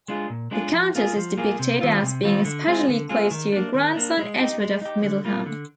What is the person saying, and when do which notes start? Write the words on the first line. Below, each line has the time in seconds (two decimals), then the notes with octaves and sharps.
The Countess is depicted as being especially close to her grandson Edward of Middleham.
0.08 G#3 D4 F4 G#4
0.30 A#2
0.51 G#3 D4 F4 G#4
0.73 F3
0.95 A#3 F4 G#4
1.16 F3
1.38 A#3 F4 G#4
1.59 C3
1.81 D#3 G3 C4 F4
2.02 C3
2.23 D#3 G3 C4 F4
2.45 D3
2.67 G#3 C4 F4 G#4
2.88 D3
3.09 G#3 C4 F4 G#4
3.31 D#3
3.52 A#3 D4
3.74 D#3
3.95 A#3 D4
4.17 G#3
4.38 D#4 G4
4.60 G#3
4.81 D#4 G4
5.03 D3
5.25 G3 A#3 F4
5.46 D3